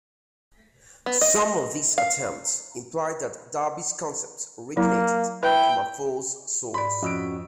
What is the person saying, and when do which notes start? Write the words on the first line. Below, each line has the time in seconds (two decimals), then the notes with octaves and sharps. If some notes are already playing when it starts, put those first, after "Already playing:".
Some of these attempts imply that Darby's concepts originated from a "false" source.
1.06 B3
1.21 D#5
1.98 F5
4.77 F#3 A#3 E4
5.43 E4 B4 G5
6.74 G#2 D5 B5
7.02 F2 C#4 F#4 D#5 E6 D7